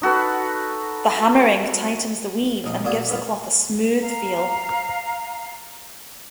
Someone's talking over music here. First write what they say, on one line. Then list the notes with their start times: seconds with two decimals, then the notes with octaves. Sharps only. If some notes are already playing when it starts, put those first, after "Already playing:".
The hammering tightens the weave and give the cloth a smooth feel.
0.02 D#4 F#4 A4 B4
2.64 A#1 D#4
2.85 A#2 D4 F4 F#4 G#4
3.09 G2 B3 F4
4.01 F5 A#5